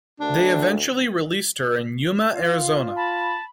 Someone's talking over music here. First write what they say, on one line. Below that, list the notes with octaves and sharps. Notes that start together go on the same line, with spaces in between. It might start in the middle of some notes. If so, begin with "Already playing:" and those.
They eventually released her in Yuma, Arizona.
D2 D4
F4 F5
A5 B5